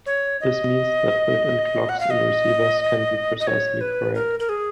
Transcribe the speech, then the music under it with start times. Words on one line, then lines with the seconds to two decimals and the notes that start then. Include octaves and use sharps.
This means that built in clocks in receivers can be precisely correct.
0.06 C#5
0.41 D#5
1.89 F#5
2.00 F5
2.10 D#5
3.40 D#5
3.47 C#5
3.81 B4
4.15 A#4
4.40 A#4
4.49 G#4